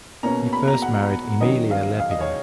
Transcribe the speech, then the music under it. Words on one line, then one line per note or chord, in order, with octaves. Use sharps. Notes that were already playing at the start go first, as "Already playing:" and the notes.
He first married Aemilia Lepida.
B2 A#3 C#4 A#5
B5
A#5
F#5
D#3 F#3 C#4 D#5
F5
F5
D#5
C#5